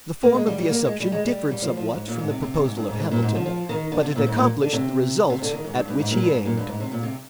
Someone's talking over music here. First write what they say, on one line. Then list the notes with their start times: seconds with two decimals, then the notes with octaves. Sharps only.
The form of the assumption differed somewhat from the proposal of Hamilton, but it accomplished the result at which he aimed.
0.23 A#3
0.34 G#3
0.47 G3
0.58 G3
0.70 A#3
0.85 G#3
1.00 G3
1.12 G#3
1.25 G3
1.51 G3
1.62 F3
1.77 F3
1.93 G#2
2.08 A#2
2.19 G#2
2.30 C3
2.42 C3
2.54 C3
2.65 G#2
2.77 G2
2.89 G#2
3.00 G#2
3.11 A#2
3.22 G#2
3.35 F3
3.46 F3
3.69 D#3
3.92 D3
4.03 C3
4.16 A#2
4.26 G#2
4.38 A#2
4.62 D3
4.73 C3
5.30 C3
5.42 D3
5.54 D#3
5.65 G#2
5.77 G2
5.88 G2
6.00 G#2
6.11 A#2
6.23 G2
6.35 G#2
6.45 A#2
6.57 G2
6.68 G#2
6.80 C3
6.92 A#2
7.03 C3